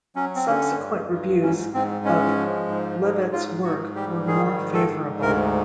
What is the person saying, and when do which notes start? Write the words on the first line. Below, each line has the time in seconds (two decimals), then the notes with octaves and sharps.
Subsequent reviews of Leavitt's work were more favorable.
0.16 F#3 C#4
0.35 C4
0.47 D3 C#4
0.79 G2
1.10 G2
1.42 G#2 C#4
1.74 G#2 C4
2.05 G#3 C#4
2.37 F3
2.68 G#2
3.00 G#2
3.32 G#2 F4
3.64 G#2 F#4
3.95 G3 G4
4.27 D#3 G#4
4.59 G#2
4.74 A4
4.91 G#2
5.22 D2 A#4